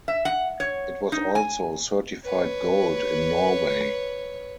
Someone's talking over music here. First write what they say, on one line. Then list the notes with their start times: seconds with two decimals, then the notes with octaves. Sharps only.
It was also certified gold in Norway.
0.08 E5
0.25 F#5
0.60 C#5
1.12 D#4
1.35 G#5
2.25 B4 C#5